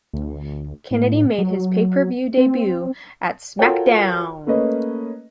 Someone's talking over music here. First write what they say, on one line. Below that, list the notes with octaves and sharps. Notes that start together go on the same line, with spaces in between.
Kennedy made his pay-per-view debut at SmackDown!
D2
A2
F#3
C4
F4 F#4 A4 A#4 C#5 G5
A3 A#3 C#4 B4 D#5